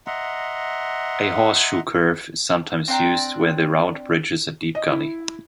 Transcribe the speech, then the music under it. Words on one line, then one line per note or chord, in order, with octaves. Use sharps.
A horseshoe curve is sometimes used where the route bridges a deep gully.
D#5 E5 F#5 A#5 C6
C4 D4 G5 A#5
D#5
E4